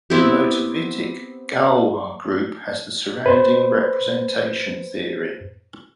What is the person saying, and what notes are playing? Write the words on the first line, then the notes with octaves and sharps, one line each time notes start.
The motivic Galois group has the surrounding representation theory.
B3 C4 E4 G4
B4 C5